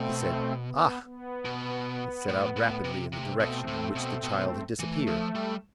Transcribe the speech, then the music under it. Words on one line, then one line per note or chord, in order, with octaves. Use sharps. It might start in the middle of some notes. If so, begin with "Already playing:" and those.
He said, "Ah!" and set out rapidly in the direction in which the child had disappeared.
Already playing: B2 A3 C4
B3
B3
B2
A2
A2
C3
C3 A3 C4
B2
A2
B2
B2
E3 A3
F3
G3